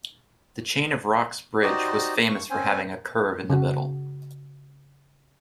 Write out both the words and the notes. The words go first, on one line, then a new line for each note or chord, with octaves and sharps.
The Chain of Rocks Bridge was famous for having a curve in the middle.
D#4 F#4 G4 C5 D5 D#5
G2 C#6
C4 C#4 C5 G#5
C#3 F#4